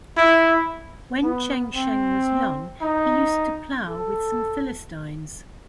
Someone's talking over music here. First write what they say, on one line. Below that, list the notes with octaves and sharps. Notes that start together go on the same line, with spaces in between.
When Chen Sheng was young, he used to plow with some philistines.
E4
B3
C4
D#4
A4